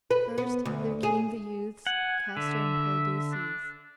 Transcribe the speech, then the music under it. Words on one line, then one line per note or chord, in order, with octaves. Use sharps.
First there came the youths Castor and Polydeuces.
B4
B3
D2
G#4
F#5 G#5
D3 E5
D4